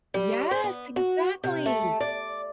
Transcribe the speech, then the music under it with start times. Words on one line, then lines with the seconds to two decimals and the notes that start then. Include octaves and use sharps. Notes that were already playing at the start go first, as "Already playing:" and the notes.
Yes, exactly.
0.14 G3
0.51 C5
0.64 B3
0.96 F#4
1.44 C3
1.66 A3
2.00 D5